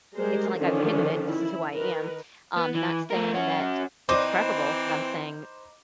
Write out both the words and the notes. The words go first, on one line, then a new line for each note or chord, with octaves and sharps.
it's like I've hidden it- this is who I am. I'm not stating that it's preferable, but I'm saying
G3 G#3 A#4 C5
D3 D#3 F3 C#4 D4
E4
D#3 A#4 B4
B3
E3
A3 A#4
C#4 F#4
E3 C4 D#4 B4 C5 D6